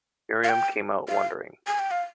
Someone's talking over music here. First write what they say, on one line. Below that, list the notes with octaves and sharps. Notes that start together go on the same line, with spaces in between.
Miriam came out wondering.
F5
G5
F5
G#5
G5
F5